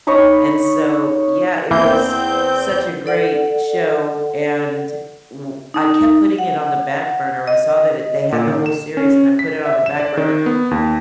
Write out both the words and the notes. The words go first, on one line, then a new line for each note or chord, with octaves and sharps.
And so, yeah, it was such a great show, and w I kept putting it on the back burner. I saw that it they had the whole series, and I put it on the back burner,
D#4 C#5 D#5 B5
E2 E3 A#3 C4 G6
A4 D5 F#5
D#4
F#5
D#5
A#2
D#3
E7
C#4
B6
E5
E7
D5
D#3
B3
D#2